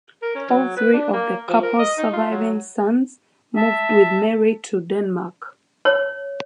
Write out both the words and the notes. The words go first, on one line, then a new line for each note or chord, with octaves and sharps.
All three of the couple's surviving sons moved with Mary to Denmark.
A#4
C#4
F#3
B4
D4
A#3
F3
A#4
D#5
D#4
F4
F#3
E5 A5
C#5